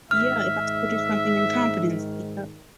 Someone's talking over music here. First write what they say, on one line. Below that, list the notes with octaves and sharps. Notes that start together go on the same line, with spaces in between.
Yeah, if I told you something in confidence, yep.
G#2 D#3 E5 F6